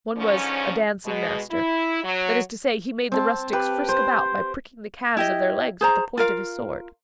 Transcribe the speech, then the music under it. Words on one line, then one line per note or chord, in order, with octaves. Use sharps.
One was "a dancing master;" that is to say he made the rustics frisk about by pricking the calves of their legs with the point of his sword.
G#2 D3 F3 C#4
B2 G#3
E4
F#3
C4 A5
G4 B4 F5
C5
E4 G4 D#5
G#4 C5 A#5
F4 A#4 F5